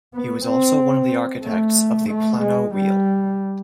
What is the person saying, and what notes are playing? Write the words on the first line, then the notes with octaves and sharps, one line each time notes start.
He was also one of the architects of the Plano Real.
B3
C4
A3
A3
G#3
G3